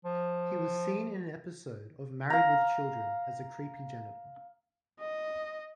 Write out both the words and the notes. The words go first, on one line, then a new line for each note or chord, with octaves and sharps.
He was seen in an episode of "Married... with Children" as a creepy janitor.
F3
F5 A#5
D#5